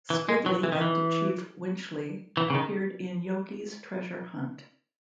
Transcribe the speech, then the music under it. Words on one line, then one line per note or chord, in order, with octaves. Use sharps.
Squiddly and Chief Winchley appeared in "Yogi's Treasure Hunt".
E3
G#3
F#3
E3
D#3
E3
E3
C#3
D#3